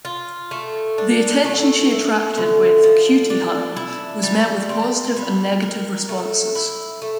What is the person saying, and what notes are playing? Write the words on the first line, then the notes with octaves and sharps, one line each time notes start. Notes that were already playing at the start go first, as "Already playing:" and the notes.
The attention she attracted with "Cutie Honey" was met with positive and negative responses.
F4
A3
D4
A3
A3
D3
F3
D4
E4
G3
C4
G3
A#4
A3
E4
A3